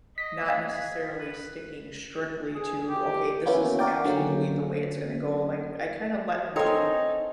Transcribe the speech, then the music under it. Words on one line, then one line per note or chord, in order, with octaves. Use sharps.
not necessarily sticking strictly to, "Okay, this is absolutely the way it's gonna go," like, I kinda let him do
D#5 B6
G#4 D#5 F5
B4
G#4
G4
A#3 B3 C#4 E4 F#4
F#4 A#4 D5 G5
D3 F#3 A#3 C#4
C4 D#4 A4 A#4 C#5 G#5 D#6